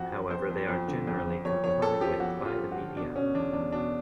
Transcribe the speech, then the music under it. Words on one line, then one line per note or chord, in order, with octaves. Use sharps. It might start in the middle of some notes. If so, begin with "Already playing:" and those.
However, they are generally complied with by the media.
Already playing: F2 F#4
F3
F2 C5
F2
F2
D3
F2
F3
F2 C#5
F2 C#5
F2 A4
F3 G4
F2 F#4
F2
F4
F3
F#4
D3
B2 D4
B2 C#4
E2 D4
E2 D4
B2 D4